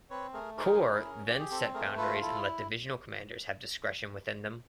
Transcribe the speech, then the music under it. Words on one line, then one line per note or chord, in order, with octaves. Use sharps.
Corps then set boundaries and let divisional commanders have discretion within them.
C4 B4 C#5
A3 G#4 A#4
D#4 G#4 A#4
E4
C#4
G4
G#4
C4 A4
A3 G#4 A#4
F4 A4 B4
E4 A4